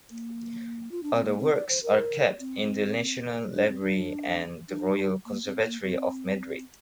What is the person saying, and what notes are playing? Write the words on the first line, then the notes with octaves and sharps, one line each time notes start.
Other works are kept in the National Library and the Royal Conservatory of Madrid.
A#3
F4
D4
C4
A#3
C4
D5
C5
A#4
C4
D4
C4
D4
D4
A#3
C4
A#3
C4